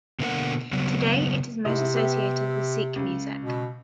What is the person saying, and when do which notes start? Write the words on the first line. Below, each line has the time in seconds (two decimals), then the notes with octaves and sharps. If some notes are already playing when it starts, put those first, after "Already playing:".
Today it is most associated with Sikh music.
0.20 B2 D3 A#3 D#4 A#4 F#5
0.73 C#3 F#3 B3
1.65 G#2 C3 E4 D#5
1.94 B3 G4 E5
2.96 C#2
3.42 B2